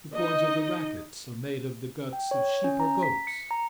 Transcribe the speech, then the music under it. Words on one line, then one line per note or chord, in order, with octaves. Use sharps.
The cords of the rackets are made of the guts of sheep or goats.
D#4 D#5
G5
C#5
C#4
A#5
B6
C#7
A#5